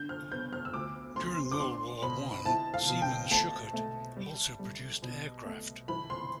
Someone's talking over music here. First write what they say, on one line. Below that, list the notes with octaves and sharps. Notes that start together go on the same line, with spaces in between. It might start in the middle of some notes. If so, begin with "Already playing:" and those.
During World War One Siemens-Schuckert also produced aircraft.
Already playing: D3 G6
F6
B3 G6
F6
E6
D2 D6
D2 C6
D6
D4 C6
B2 B5
E4 A5
F5
B2
G5
A3 A5
A3
G3
G3
B2
A3
E3 B5
C6